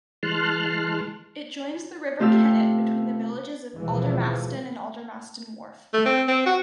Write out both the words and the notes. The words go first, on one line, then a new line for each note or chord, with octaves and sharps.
It joins the River Kennet between the villages of Aldermaston and Aldermaston Wharf.
E3 G#3 A5 C6 F6 F#6
C3 A3 F4 G4 F5 E6
D#2 B2 E3 F3 G#3
A3
C4
C4
F#4